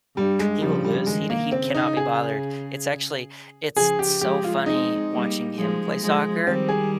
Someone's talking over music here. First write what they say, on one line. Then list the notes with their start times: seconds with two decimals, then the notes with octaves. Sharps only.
He will lose. He he cannot be bothered. It's actually it's so funny watching him play soccer.
0.16 G2 G3
0.39 G#3
0.62 C#3 F3 G3
0.84 G3
1.06 D#3 G#3
1.30 A#3
1.52 C#3 C4
1.74 D#4
1.97 G#4
3.77 C#3 F3 G#4
3.99 G4
4.21 F3 G#3 G4
4.44 F4
4.66 G#3 C4 D#4
5.11 G3 A#3
5.56 F3 G#3
6.02 F3 G#3
6.46 D#3 G3 C4
6.69 G#4